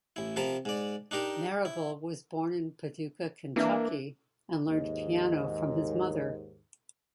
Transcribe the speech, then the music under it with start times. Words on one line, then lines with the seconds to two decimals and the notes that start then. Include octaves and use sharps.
Marable was born in Paducah, Kentucky, and learned piano from his mother.
0.16 A1 E4
0.36 C3 F3 A#4 A5 B5
0.65 G#2 D5
1.11 D4 D#4 G4 A#4
1.65 E4
3.56 E3 A#3 D4 E4
4.67 D#2 G#2 D#5